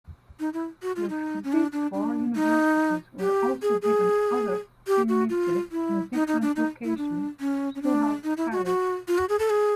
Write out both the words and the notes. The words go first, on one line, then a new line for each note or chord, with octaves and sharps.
These four universities were also given other premises in different locations throughout Paris.
D#4
E4
F#4
F4
D#4
C#4
D4
D4
D4
D#4
G4
G#4
G#4
G4
F#4
F4
E4
D#4
D#4
D4
D#4
E4
D4
C#4
C#4
D4
D#4
E4
F#4
F#4
F4
F#4
G#4
A4
G#4